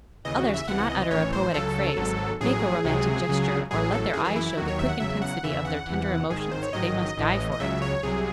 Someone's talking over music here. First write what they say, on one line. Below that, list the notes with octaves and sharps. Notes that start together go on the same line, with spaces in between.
Others cannot utter a poetic phrase, make a romantic gesture, or let their eyes show the quick intensity of their tender emotions if they must die for it.
D#2 C#3 E3 D#5
F#4
E5
C#2 C3 E3 F#5
D#5
A1 A2 E3 C#5
C5
C#2 C#3 F#3 A4
G#1 G#2 F#3
A1 A2 F#3 G#4
C#2 C3 F#3
C#2 C#3 F#3
A1 A2 F#3 G#4
A4
F#2 E3 G#4
G#4
E4
E4
D#2 D#3 F#3 F#4
C#5
E5
F#5
E2 C#3 F#3 E5
F#5
E2 C#3 E3 E5
F#5
E2 C3 E3
G#1 G#2 D#3 G#4
G#4
C5
C#5
A1 G#2 D#3 F#3 D#5
A1 A2 E3
D#5
C#2 C#3 F#3 E5
C#5
C2 C3 F#3 G#4